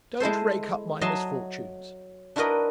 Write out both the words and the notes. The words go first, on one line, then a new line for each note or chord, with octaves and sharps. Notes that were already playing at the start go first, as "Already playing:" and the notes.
"Don't rake up my misfortunes."
G#3 E4 A4 C5
F#3 D#5 E5 A5 C6
D4 E4 F#4 A#4 B4 D#5